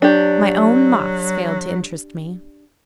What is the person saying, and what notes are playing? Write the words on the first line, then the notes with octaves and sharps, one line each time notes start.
My own moths failed to interest me.
F#3 D4 G4